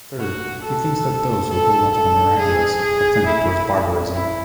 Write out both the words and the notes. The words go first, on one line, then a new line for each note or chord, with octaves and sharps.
Third, he thinks that those who hold onto the miraculous have tended towards barbarism.
F#4
A4
A4
A4
G#4
G#4
E4
E4